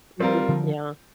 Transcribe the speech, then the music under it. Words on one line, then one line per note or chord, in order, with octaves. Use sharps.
Mm, yeah.
G3 C4 F4 A#4
D3 F3